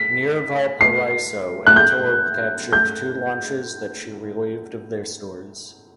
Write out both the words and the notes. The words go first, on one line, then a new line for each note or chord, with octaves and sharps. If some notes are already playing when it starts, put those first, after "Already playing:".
Near Valparaiso "Antelope" captured two launches that she relieved of their stores.
Already playing: B6
C7
F#6
G6
G6